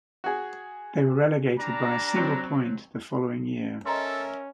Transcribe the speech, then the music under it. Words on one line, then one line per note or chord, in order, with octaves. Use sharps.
They were relegated by a single point the following year.
F#4 G#4
G3 D4 A#5
F#3 C4
C#4 A4 A#4 D#5 E5 A#5 C6